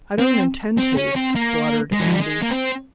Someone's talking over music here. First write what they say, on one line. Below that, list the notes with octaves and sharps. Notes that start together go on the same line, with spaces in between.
"I don't intend to," spluttered Andy.
C4
C4
C#4
C4
A#3
G#3
E3
F3
G3
G#3
A#3
C4